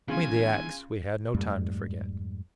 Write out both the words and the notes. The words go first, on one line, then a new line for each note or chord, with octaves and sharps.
Between the acts we had no time to forget.
G1 C#3 E3 F4 G#5
F2 G#2 G3 A3